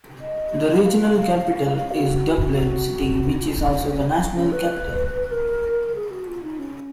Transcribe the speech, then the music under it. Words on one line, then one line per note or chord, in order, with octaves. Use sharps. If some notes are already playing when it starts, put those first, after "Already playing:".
The regional capital is Dublin City which is also the national capital.
D#5
F5
F5
F5
F5
F#4
D#4
F4
D#4
C#4
C#4
C#4
B4
A#4
G#4
F#4
F4
D#4
C#4